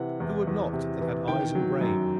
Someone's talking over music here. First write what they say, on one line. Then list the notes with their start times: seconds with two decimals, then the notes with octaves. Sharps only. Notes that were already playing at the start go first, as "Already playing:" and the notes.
Who would not that had eyes and brain?
Already playing: C3 E3 F#5
0.20 E2
0.47 E2
0.73 C3
1.01 E3
1.28 D#3 G5
1.55 F#3
1.81 F#2